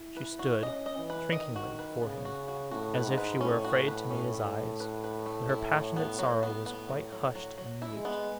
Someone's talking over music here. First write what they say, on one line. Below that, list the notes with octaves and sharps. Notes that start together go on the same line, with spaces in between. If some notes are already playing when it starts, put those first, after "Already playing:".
She stood, shrinkingly, before him, as if she were afraid to meet his eyes; but her passionate sorrow was quite hushed and mute.
Already playing: E4
B4
F#4
C#4 D#5
D#5
E3
B4
D#3 D#5
F#4
B4
C#3 B3
F#4
F#4
A2 F#4
B4
G#2
B4
A2 C#4
F#4
B4
C#4
A3
A3
B4
B4
A3
E4
F#3
B3
A2 F#3
B3
B3
F#3
F#3
F#3
F#3
E4
G#3
B3